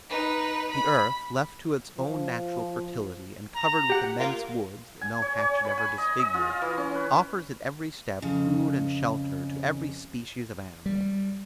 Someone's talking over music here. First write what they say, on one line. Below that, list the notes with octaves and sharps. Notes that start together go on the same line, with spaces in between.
The earth left to its own natural fertility and covered with immense woods, that no hatchet ever disfigured, offers at every step food and shelter to every species of animals.
D#4 B4
B5
F3
A#5
G4 F#5
F4 A#4
G#5
C#5
C#5
B5
G#5
D#5
D#5
F4
F5
E3
C#4
B4
F2 C#3
G3